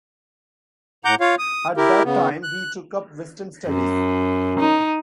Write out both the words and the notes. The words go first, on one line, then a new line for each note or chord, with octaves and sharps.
At that time he took up Western studies.
A2 F#5 A#5 D6 G6
F4 C#5 F5
D#6
E4 G4 A#4
C#3 B3
F#6
F#2
D#4